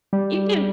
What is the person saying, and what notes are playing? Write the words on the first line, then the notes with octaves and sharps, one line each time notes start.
You too.
G3